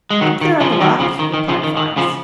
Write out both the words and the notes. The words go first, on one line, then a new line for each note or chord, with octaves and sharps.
"Up there on the rocks," replied Files.
G#3
D#3 F#3
D#3
C#3 F3
F3
D#3 F#3
C#3 F3
D#3
D#3
C#3 F3
D#3
D#3
C#3 F3